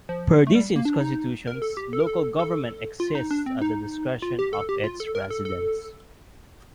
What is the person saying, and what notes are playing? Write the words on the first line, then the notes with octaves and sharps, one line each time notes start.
Per these constitutions, local government exists at the discretion of its residents.
F3
A3
G3
A#3
D4
D#4
A#4
A4
G4
A4
A#4
A4
A4
F4
D#4
D4
C4
D#4
F4
G4
A4
G4
F4
A4
A#4
A4
A4